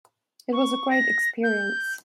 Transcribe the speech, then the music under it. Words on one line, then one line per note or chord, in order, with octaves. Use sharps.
It was a great experience.
C#6
A#6
G6